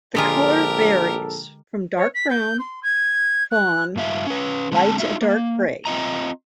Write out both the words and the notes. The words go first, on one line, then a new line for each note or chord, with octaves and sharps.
The colour varies from dark brown, fawn, light and dark grey.
A#1 D3 G#3 F4 G4 A4 A#4
C#5
B6
G6
C6
G#6
F#6
G2 F4 E5
C#4 B4
D3 G#3 C4 A5
D#4 F4 F#4 E5
A#3
C4 F4 D#5 A#5